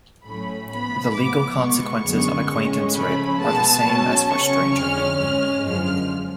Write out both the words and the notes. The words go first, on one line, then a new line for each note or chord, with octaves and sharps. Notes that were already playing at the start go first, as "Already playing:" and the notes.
The legal consequences of acquaintance rape are the same as for stranger rape.
A2 F#3 A3 C#4 B5
A2 F3 B3 B5
A2 F3 B3 D6
B2 G#3 B3 C#6
F#2 D3 G#3 B3
A2 G#3 C#4
C#3 F3 A3 C#4 B5
B2 G#3 B3 A5
B2 F#3 C#4
C#3 F#3 C#4 C#6
F2 D3 G#3 C#4 F6
G#2 G#3 C#4 F6
F#2 D3 F3 G#3 F6